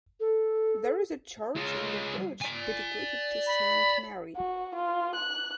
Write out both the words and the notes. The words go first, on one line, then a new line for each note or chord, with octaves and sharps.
There is a church in the village dedicated to Saint Mary.
A4
G#3 F4
D5 G#5
B5
F#4
F4
F#6